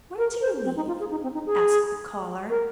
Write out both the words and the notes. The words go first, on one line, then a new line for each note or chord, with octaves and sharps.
"Where do you live?" asked the collar.
A#4
C5
C4
D#4
F4
G#4
D#4
C4
D#4
G#4
A#4